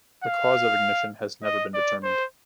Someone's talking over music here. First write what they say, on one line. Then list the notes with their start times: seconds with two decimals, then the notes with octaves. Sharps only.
The cause of ignition has never been determined.
0.24 F5
1.44 D#5
1.74 D5
2.03 C5